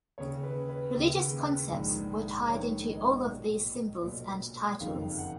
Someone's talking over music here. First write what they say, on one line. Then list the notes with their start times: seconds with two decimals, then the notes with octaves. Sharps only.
Religious concepts were tied into all of these symbols and titles.
0.18 D#2 C#3 C#5
0.43 B4
0.69 B4
0.95 D#2 C#3
1.72 A#1 G#2 D#3
2.49 A#1 G#2 D#3 C#5
2.88 D#5
3.26 B1 A#2
4.03 B1 A#2
4.80 F#1 F2 D#3 F5
5.19 F#5